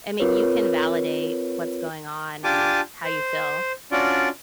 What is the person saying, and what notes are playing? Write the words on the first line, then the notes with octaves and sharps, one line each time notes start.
I mean, you can validate what's going on and how you feel.
C4 F4 A#4 B4 C#5
D4 F4 G4 G#5 A5 D6
C5
C#4 D4 F4 F#4 D5